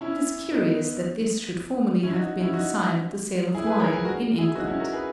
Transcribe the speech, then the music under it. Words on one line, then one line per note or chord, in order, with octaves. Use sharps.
It is curious that this should formerly have been the sign of the sale of wine in England.
C#4 E4
B3 D#4
C#4 E4
D#4 F#4
C#4 E4
D#4 F#4
E4 G#4
G#4 B4
A#4 C#5
G#4 B4
F#4 A#4
E4 G#4
D#4 F#4
C#4 E4
F#4 A#4
G#4 B4